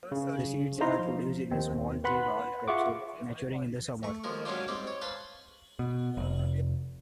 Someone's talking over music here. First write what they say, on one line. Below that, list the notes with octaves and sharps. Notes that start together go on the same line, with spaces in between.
The seeds are produced in a small, three-valved capsule, maturing in summer.
C#3
D#4 E4 C5 F5 A#5 C6
F3
D#2 C4
B4 F#5 B5 C6 F#6
F4 G#4 E5 F#5 C#6 D6
A3 C#6
D#2 F3 G#3 A#4
F#3 G#3 C#4 D4 F4 G4
G#2 G3 C4 G4
C#5
B4 C5 F5 A5 B5
B2
F1